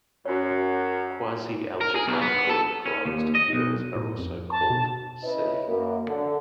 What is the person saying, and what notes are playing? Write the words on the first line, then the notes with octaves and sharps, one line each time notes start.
Quasi-algebraically closed fields are also called "C".
F#2 F#4 C#5
A#4
G#4
B1
B3
A4
C#4
D#2
D#5
B1
A2
F2
A5
B2
C#4 E4 B4 C#5 D#5
F#2 A#3
D3